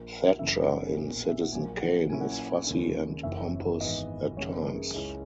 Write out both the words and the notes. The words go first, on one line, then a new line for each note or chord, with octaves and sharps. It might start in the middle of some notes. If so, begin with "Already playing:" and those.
Thatcher in "Citizen Kane" is fussy and pompous at times.
Already playing: A#1 A#2 A#3
F#1 F#2 C#3 E3 E5
F#5
B1 A#2 A#3
E5
F#5
A#1 A#2 F#3 A#3 G#5
F#5
A#2 F#3 A#3 C#4 E4 G#5
F#5
G#5
D#2 C#3 G#3 C#4
F#1 F#2 E3 A#3 C#4 E5
G#1 G#2 E3 B3 E4 D#5
G#1 F#2 C#3 F#3 A#3 C#5
B4
A#4
G#4
C#2 C#3 G#3 C#4 E4